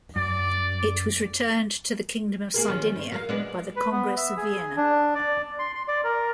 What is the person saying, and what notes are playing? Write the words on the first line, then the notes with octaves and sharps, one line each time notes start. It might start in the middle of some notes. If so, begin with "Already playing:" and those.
It was returned to the Kingdom of Sardinia by the Congress of Vienna.
F#2 D5
A#3 G#4 A#4
D#3 F3 C#4
G2
F#3 A#4 F5
G#3 B3 D4
B4
B3
E5
G#4
D4
D5
C6
C6
D5
A#4